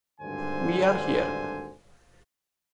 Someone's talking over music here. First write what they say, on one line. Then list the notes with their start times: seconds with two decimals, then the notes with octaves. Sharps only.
We are here.
0.20 G#1 D2 G2 D3 C5 G#5